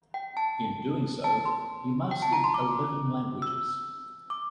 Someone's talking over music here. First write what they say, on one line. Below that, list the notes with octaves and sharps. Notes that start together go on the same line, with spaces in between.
In doing so, he mastered eleven languages.
G5
A5
A5
C6
G5
A5
A#5
C6
D6
E6
D6